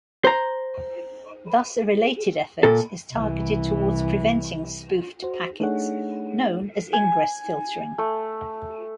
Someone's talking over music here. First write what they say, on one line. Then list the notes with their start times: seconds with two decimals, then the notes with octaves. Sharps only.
Thus, a related effort is targeted towards preventing spoofed packets; known as ingress filtering.
0.25 C5 A#5
2.63 A#2 A4
3.13 C2 E3
5.23 F#4 C5
5.60 A3 D4 D#4 G#4 C#5 F#5
6.93 G#5
7.98 A3